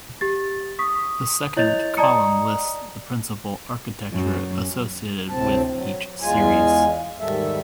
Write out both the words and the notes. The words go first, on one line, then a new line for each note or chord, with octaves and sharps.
The second column lists the principal architecture associated with each series.
G4 A6
C#6 D#6 B6
E4 C#5 D#5 G6 A6 F7
D5 D#5 A5 A#5 D#6 C#7
F#2
D2 A2 C3 C4 A5
F#3
E2 G#3 F4 G#5
D#2 G#2 D#3 G3 A4 E5